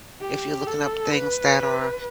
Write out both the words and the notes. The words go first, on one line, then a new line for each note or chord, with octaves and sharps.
if you're looking up things that are
G4
A4
B4